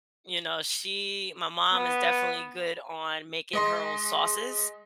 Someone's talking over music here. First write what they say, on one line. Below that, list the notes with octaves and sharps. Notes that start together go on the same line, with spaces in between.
you know, she my mom is definitely good on making her own sauces.
B3
G#3 D#5 C6